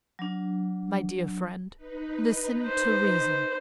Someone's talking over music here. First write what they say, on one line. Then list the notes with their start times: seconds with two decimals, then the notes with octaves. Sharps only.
"My dear friend, listen to reason."
0.19 F#3 D4
1.76 D#4 B4
2.67 C5